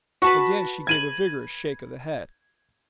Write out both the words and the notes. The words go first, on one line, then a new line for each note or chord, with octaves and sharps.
Again she gave a vigorous shake of the head.
F#4 B4 A5 C#6
G#6 D#7 F#7